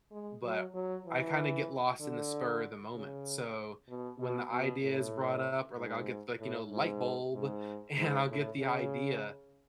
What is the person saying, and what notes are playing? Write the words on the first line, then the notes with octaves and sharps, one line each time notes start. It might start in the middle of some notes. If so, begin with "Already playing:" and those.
But I kinda get lost in the spur of the moment. So, when the idea is brought up, or like I'll get like, you know, light bulb, and I'll get the idea,
G#3
F#3
F#3
E3
D3
C#3
B2
B2
B2
A2
G#2
A2
G#2
G#2
G#2
A2
C#3